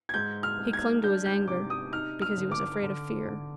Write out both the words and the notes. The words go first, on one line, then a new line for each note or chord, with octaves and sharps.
He clung to his anger--because he was afraid of fear.
G#6
G#2 G6
F6
G#2
G#6
D4 G6
G6
C3 D6
D#6
D#4 F6
F6
D3
D6
D3
D3